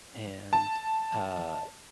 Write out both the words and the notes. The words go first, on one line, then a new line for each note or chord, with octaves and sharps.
and, uh
A5